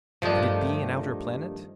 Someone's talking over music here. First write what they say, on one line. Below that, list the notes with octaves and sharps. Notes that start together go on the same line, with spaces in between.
Could it be an outer planet?
G2 D#3 F3 A3 D4